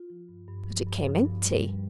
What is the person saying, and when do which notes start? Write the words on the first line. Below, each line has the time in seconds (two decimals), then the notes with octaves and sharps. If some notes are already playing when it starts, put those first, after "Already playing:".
But it came empty.
Already playing: F4
0.10 F3
0.29 G2
0.48 G2
0.67 F3
0.86 G2
1.06 F3
1.24 G2
1.43 G3
1.63 G3